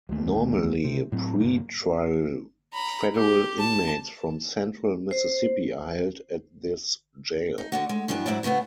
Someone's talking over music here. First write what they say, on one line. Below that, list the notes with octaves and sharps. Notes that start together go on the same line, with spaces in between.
Normally pre-trial federal inmates from central Mississippi are held at this jail.
D2 D#3 F3 A3
C3
A2 F#3 C4
G2 C#3 A#3
A#5 B5
G4
A5
C5
D#4
D3 D4 F#4
G#3
G2 E3 F#3 B3 D4
G#2 F#3 D4 E4 F#4 D5
A2 C#3 A3 B3 F#4